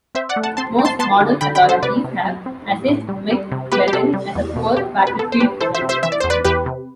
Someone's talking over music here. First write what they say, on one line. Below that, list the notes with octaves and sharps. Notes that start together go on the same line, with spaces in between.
Most modern authorities have assessed McClellan as a poor battlefield general.
C4 C5 E5
D5 F#5
A3
F#5 A5
C4 A5 C6
C4
A5 C6
B3 A5 C6
D3
D3 G5 B5
G5 B5
D3
A4 C5
C3 B4 D5
C3
F#3
C4
A2
A2
G3
G3
C3
B3 G4 B4
G4
C3 A4
G3
E2
B2
B2 G4
C4
B4
B3 A4
C5
D4 G4 B4
E3 A4 C5
C5 E5
C3
C5 E5
E3 E5
D5
E2 C5
B4 D5
E2 G4 B4
C3